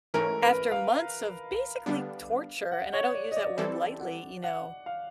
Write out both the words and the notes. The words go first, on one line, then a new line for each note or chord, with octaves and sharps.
After months of basically torture, and I don't use that word lightly, you know,
G#2 E3 A3 C#4 A#4
B4
F5
D3 G3 B3 D4
F#5
C#5
D5
D#5
D5
E3 G3 C4 E4 A4 D5
F#5
F#5
F5